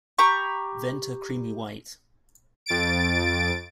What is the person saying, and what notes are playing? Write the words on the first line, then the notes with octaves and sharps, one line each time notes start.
Venter creamy white.
G4 A#5 B5 C#6
F2 A6 D7